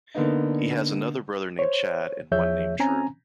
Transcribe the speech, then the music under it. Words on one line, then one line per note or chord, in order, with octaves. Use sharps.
He has another brother named Chad and one named Drew.
D3 A#3 B3 D#4
C5 C#5
E2 F3 G#4 C#5 E5 G6
C4 C#4 G#5 A#5